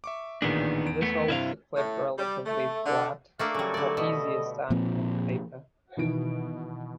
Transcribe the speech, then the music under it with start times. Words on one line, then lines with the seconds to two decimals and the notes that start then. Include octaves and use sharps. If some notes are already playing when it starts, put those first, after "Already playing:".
This holds the clip relatively flat, for easier stacking of paper.
0.04 E5 C#6 D6
0.42 A1 A#2 D#3 B3 D4 G#4
0.86 E2 D7
1.02 A3 B3
1.28 G2 C3 E4 C5 E5 F5
1.77 A2
2.17 G3
2.46 A3
2.84 D3
3.39 A3 A#3 D4 F5
3.54 C#3 F#3 G3
3.74 D3 A4 D5
3.97 B2 D#5
4.70 A#2 F3 C4
5.97 B2 D#3 E3 D7